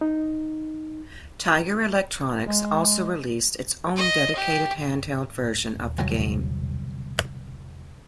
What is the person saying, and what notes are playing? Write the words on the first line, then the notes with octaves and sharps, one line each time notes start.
Tiger Electronics also released its own dedicated handheld version of the game.
D#4
G#3
D#5
G4
G1 C2 F#3